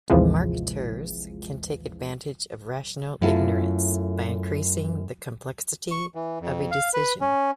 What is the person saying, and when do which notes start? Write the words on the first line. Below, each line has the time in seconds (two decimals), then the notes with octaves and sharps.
Marketers can take advantage of rational ignorance by increasing the complexity of a decision.
0.10 A1 D#2 C3 E3 F3 G#3
3.22 F#2 A3 B3 E4 F4 A4
5.91 C#6
6.15 E3
6.41 F2
6.71 F5
6.94 B4
7.21 C#4